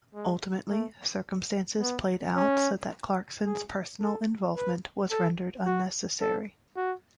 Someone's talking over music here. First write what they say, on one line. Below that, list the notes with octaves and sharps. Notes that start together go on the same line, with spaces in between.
Ultimately, circumstances played out so that Clarkson's personal involvement was rendered unnecessary.
G#3
A3
B3
C#4
G#4
A4
B4
A4
F#4
A4
F#4